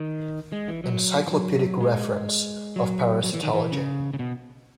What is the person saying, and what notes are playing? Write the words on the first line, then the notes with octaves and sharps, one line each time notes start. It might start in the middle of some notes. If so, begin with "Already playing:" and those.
Encyclopedic Reference of Parasitology.
Already playing: D#3
G#3
E3
F#3
E3
F#3
G#3
F#3
F#3
E3
D#3
E3
C#3
C#3
B2